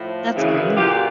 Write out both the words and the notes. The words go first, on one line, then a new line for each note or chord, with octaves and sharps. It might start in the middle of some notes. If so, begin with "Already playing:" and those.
That's great.
Already playing: A2 F3
F#2 C#3 E3
A#2 F#3 F4 G4